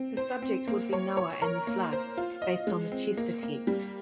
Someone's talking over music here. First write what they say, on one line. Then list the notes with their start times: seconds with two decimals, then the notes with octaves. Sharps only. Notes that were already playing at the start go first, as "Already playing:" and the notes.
The subject would be Noah and the flood, based on the Chester text.
Already playing: C4
0.17 C5
0.42 C4
0.67 A#3
0.93 C#5
1.17 C#5
1.42 A#4
1.67 A#3
1.93 C5
2.17 F4
2.42 D#5
2.67 G#3
2.92 C4
3.17 A#3
3.43 A#3
3.67 G3